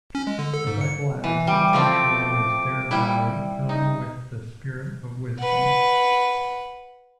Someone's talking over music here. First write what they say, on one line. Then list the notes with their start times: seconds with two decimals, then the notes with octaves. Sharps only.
The Bible adds that Joshua was thereby "filled with the spirit of wisdom".
0.15 C#4
0.27 G#3
0.39 D3
0.54 A4
0.67 G#2
0.81 C#7
1.24 E3
1.47 G3 D6
1.73 F3 A3 C4
2.91 G3 E4
3.69 D#4
5.40 B4 F#5